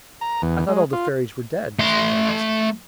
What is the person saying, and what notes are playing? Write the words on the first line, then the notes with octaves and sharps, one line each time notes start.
"I thought all the fairies were dead," Mrs. Darling said.
A#5
E2
G#3
F4
A3 C6